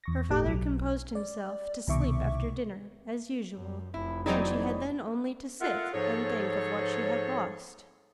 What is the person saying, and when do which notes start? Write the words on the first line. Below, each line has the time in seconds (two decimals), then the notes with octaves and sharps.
Her father composed himself to sleep after dinner, as usual, and she had then only to sit and think of what she had lost.
0.04 E2 C#6 A#6
0.29 G1 A2 G4 A4 D6
0.45 B1 F#3
1.15 D5
1.87 C2 B2 D#3 E5 C#6 D6
3.54 F#2
3.94 F1 E4
4.26 E3 F#3 C4 D#4 G#4 D5
5.61 F4 A4 A#4 E5 F#5
5.94 G#2 F3 G#4 A4 C#5